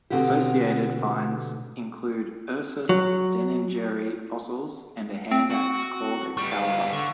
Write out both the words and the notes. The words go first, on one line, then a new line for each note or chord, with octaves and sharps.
Associated finds include "Ursus deningeri" fossils and a hand axe called "Excalibur".
B2 D3 C4 F#4 G4
F#3
C4
F#4
G3 B3 C#6
F5
D3 C#6